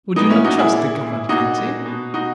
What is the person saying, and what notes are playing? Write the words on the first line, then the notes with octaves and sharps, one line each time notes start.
"Would you not trust the Cavalcanti?"
A#2 B3 D#4
C#4 E4
A#2 D#4 F#4
E4 G#4
A#2
A#2
A#2 D#4 F#4
A#2
B2
B2 D#4 F#4